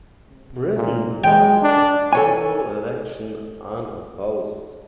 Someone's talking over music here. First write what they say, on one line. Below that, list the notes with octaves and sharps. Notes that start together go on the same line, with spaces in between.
Brisson won the general election unopposed.
A#2
G#3 G5
D4
A4 C#5 G#5